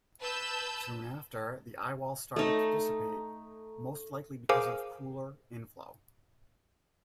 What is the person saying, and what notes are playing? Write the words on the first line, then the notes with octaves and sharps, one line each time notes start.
Soon after, the eyewall started to dissipate, most likely because of cooler inflow.
B4 A5 E6 G6
A3 D#4
G#4 A#4 C5 F5 G#5 D6